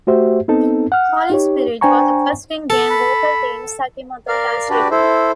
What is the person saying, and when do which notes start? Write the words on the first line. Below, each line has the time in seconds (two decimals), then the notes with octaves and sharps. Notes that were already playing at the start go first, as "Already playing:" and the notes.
"Holy Spirit" was the first in-game vocal theme Sakimoto has written.
0.07 A3 F#4 G4 C5 E5
0.48 B3 C4 D#4 A4
0.92 F#5 F6
1.30 D#4 G4 C#5
1.81 D4 C5 G5 G#5 A#5 C#6
2.70 A4
2.91 B5
4.28 A#4 D5 F5 F6
4.70 D4 F#4 G4 B4 D5
4.91 E4 A4 C5